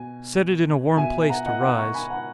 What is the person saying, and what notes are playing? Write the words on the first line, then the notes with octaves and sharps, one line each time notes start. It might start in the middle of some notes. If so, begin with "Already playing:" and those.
Set it in a warm place to rise.
Already playing: B2 G#5
B2 E5 G#5
F#5 A#5
D#5 F#5
F#5 A#5
A#5 C#6
G#5 B5
F#5 A#5